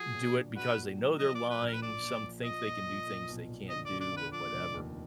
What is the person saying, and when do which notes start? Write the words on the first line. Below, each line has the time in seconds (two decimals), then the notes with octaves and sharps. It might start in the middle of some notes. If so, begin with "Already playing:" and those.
do it because they know they're lying, some think they can do things they can't do or whatever,
Already playing: F3 F#4 G#4
0.15 A#2
0.36 D4
0.56 F#4 B4
0.77 A#2
0.98 F#3
1.19 F3 D#5
1.35 F3 D5
1.50 B4
1.61 A#1
1.66 A#4
1.74 B4
1.82 F3 D5
2.02 A#2
2.24 F3
2.44 F3 D#5
2.65 A#2
2.87 F3
3.07 A#2
3.28 B1
3.49 A#2
3.69 D3 D#5
3.85 D5
3.91 D3
4.01 D5
4.12 D3 B4
4.32 F3 D5
4.53 F1
4.74 D#2